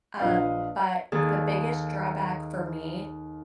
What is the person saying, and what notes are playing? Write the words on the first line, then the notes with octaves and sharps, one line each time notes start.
um, but the biggest drawback for me
A#1 F3 D4 B4 D#5 F5
D#2 D#3 G#4 A4